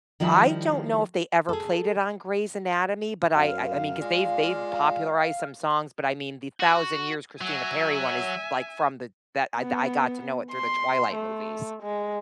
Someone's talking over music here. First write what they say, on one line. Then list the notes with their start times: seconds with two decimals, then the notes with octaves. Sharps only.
I don't know if they ever played it on Grey's Anatomy, but, I I I mean, 'cause they've they've popularized some songs, but, I mean the Thousand Years Christina Perri one is, like, from the that I I got to know it through the Twilight movies.
0.20 D#3 F3 G3 E4
1.49 G#4 A4
3.35 F#2 F5
4.01 G#3 F4 D5
6.60 F#4
7.41 F#3 E5 G#5
9.59 B3
10.52 C6
11.15 A3
11.83 G#3